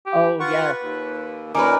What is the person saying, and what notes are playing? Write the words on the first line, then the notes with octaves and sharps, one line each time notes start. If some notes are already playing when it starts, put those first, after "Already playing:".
Oh, yes.
G4
F4 B4 F#5 C#6
D#2
A#2 D#3 C#4 A#4 B4 G#5 A#5 D6